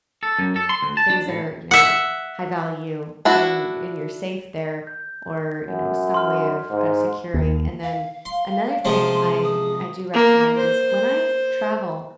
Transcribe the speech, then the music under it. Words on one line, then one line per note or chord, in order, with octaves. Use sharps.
things that are, you know, of high value in in your safe there or, you know, some way of of securing, and then another thing I I do recommend is when I travel,
A4
F#2
A4
C6
D2
A5
D4
A2
E5 F#5
D4 E4 F#4
G6
F#2
C6 F6
G#2
D#2
F5
C6
C3 F3 G#3 G#4 C6
D#6
A#3
C5